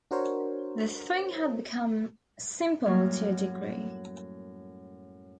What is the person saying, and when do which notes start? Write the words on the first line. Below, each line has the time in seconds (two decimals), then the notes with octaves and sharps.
The thing had become simple to a degree.
0.11 D4 F#4 A#4 C5 C#5
2.86 F#2 A2 F#3 G3 A#3 C#4